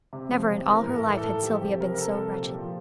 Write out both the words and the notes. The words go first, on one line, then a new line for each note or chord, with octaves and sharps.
Never in all her life had Sylvia been so wretched.
C3
F3
C3
E3 A#4
A2 A#4
A4
E3
A4
A2
F3 G4
C3 G4
F3 A#4
A#4
C3 A4
F3 A4
A#2
G4
F3 F4